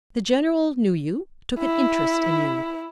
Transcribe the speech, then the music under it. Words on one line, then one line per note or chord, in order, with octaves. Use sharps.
The General knew you, took an interest in you.
E4